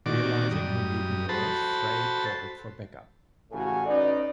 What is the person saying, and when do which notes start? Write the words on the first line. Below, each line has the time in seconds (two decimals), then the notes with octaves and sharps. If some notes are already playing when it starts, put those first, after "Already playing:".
Realizing who Newton was, Frey called for backup.
0.06 A#2 D#3 F#4 D5 D6
0.51 F#2 G3 D#6
1.29 F#4 A4 C5 A5 B5
3.51 A1 A2 C#3 F#4 A4 G#5
3.86 C#4 D#4 B4 D5